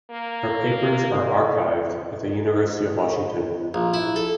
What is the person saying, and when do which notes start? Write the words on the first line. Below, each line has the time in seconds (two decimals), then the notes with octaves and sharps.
Her papers are archived at the University of Washington.
0.11 A#3
3.74 A#1
3.94 E4
4.16 A4